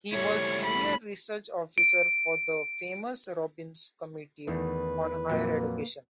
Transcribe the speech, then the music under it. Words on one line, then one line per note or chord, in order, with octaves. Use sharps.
He was Senior Research Officer for the famous Robbins Committee on Higher Education.
G3 A3 E4 C#5
B5
D7
E2 D#3 A3 B4
F2 A#2 F#3 A#3